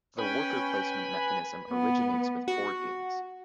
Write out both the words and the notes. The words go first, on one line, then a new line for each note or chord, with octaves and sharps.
The worker placement mechanism originates with board games.
C#4 B4 G5 G#5 B5
B3
F#4